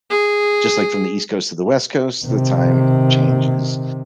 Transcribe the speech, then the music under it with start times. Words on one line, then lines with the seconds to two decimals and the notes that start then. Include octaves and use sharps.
just like from the East coast to the West coast, the time changes.
0.10 G#4
2.23 C3 D#3